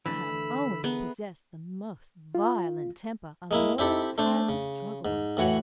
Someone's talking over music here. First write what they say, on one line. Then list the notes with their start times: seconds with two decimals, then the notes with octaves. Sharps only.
I have always possessed the most violent temper a mortal had to struggle with.
0.06 G2 D3 E3 A3 B5 E6
0.84 B3 G#4 A#4 E5
2.35 F4
3.51 G#3 A#3 E4
3.78 C4 E4 G4 A4
4.18 A3 D4 C5
4.49 C#3
5.05 G#2
5.37 A2 E3 F#4 C#5 F#5